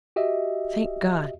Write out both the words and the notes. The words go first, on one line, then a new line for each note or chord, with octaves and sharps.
"Thank God!"
F#4 G4 D#5 E5